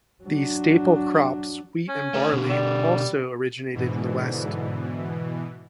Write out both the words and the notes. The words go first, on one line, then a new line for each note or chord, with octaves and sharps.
The staple crops, wheat and barley, also originated in the west.
F#3 D4
C#4
A3 B4 D5
B2 D3
G3
G#2 B2 D3 E3